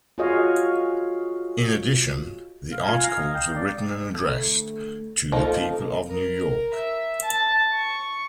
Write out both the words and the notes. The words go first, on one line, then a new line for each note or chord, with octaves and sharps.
In addition, the articles were written and addressed "To the People of New York".
F4 F#4 G#4 C#5 D#5 F5
F5
F4 G#5
F5 A#5
D#5
G5
D5
D2 A3
F3 A#3 D#4 A4
A#4
E5
A5
C#6